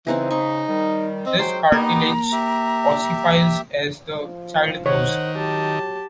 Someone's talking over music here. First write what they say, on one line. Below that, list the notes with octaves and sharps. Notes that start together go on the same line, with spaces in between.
This cartilage ossifies as the child grows.
C#3 E3 C4 D#4 G#4
D#4 C#6
D#3 G3
C4 D#5
F#3 G#3 C5 G5
A#3 B3 D#4 G4 A#5
G4 E5
F3
D#3 C5 C#5 F#5
F#3 G4 A5